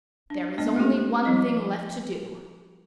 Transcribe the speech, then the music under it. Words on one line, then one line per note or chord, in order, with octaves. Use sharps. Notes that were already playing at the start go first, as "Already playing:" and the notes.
"There is only one thing left to do."
D4
G#3 A#3 B3 D4 D#5
A3 A#3 F4 G4 A4
F3 G3 E4 D#5